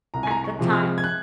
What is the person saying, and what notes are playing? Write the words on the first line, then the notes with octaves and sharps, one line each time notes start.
at the time
C2 A#5
G#5
A#5
C#6
C3 F3 G#3
F6
G#6
F#6